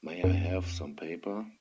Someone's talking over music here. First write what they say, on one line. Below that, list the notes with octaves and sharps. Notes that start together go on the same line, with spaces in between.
May I have some paper?
F#2
F2